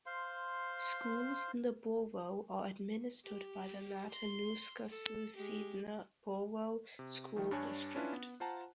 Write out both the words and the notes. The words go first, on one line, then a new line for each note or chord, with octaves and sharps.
Schools in the borough are administered by the Matanuska-Susitna Borough School District.
C5 F5 C6
G4
C6
A4
G#3 G4
C3
D#3 F3 A3
G2 D4 C#5 G#5 F#6
C#4 D4 E4 F4 B4
B3
F4 C5 F#5 A5 A#5